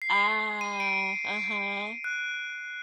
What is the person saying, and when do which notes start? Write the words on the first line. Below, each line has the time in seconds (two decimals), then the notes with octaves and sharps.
Ah, uh-huh.
0.02 C7
0.61 D#7
0.80 D7
2.04 F#6